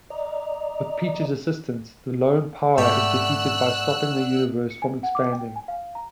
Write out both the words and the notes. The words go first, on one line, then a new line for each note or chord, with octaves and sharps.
With Peach's assistance, the Lone Power is defeated by stopping the universe from expanding.
D5 D#5 A#5
G#2 A3 G4 D5 E5 F#5 E6 F#6
C#7
G#5
F#5
D6
G5
G#5
F5
A#5